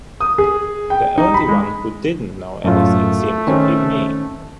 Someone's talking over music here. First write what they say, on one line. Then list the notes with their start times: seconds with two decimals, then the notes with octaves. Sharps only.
The only one who didn't know anything seemed to be me.
0.20 D#6
0.38 G#4
0.90 G5
1.18 D#4
1.34 B5
1.48 G#3
2.64 F#2 A2 A3 F4
3.47 D#3 C4 C#4